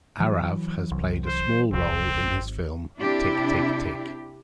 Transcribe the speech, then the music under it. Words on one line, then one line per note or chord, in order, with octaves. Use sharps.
Aarav has played a small role in his film, "Tik Tik Tik".
E3 F#3
C2
C5
D#1 C2 C4
G#1
C3 D4 E4 G4